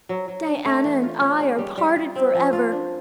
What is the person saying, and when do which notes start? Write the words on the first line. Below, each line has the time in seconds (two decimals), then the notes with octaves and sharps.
Diana and I are parted forever.
0.09 F#3
0.28 F#3
0.46 D4
0.65 A3
0.84 E3
1.03 F4
1.21 C#4
1.40 G#3
1.58 G3
1.78 G3
1.96 F4
2.15 C4
2.34 F3
2.53 F4
2.72 D4